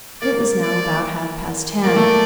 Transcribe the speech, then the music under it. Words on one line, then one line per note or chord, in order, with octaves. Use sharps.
It was now about half-past ten.
A#3 D5
D5
A#3 D5
A3